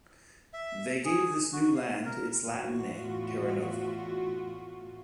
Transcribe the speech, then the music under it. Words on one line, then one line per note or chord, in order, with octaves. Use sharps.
They gave this "new land" its Latin name "Terranova".
E5
G#4
F#4
F5
A#4
E2 A2 A3 F4 F#4